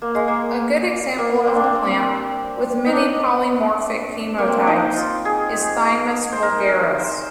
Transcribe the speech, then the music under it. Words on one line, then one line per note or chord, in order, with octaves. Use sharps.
A good example of a plant with many polymorphic chemotypes is "Thymus vulgaris".
A#3
G#3
A#3
A#3
C4
D4
C4
C4
D#4
D4
A#3
C4
D4
D#4
F4
G#4
C5
A#4
C5